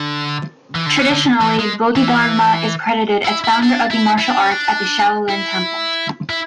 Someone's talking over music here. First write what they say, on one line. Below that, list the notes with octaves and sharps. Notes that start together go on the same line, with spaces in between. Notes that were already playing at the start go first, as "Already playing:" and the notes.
Traditionally Bodhidharma is credited as founder of the martial arts at the Shaolin Temple.
Already playing: D3
E3
D3
E3
D3
E3
G#3
E3
E4
E4
D4
E4
E4
D4
C#4
D4
E4
E4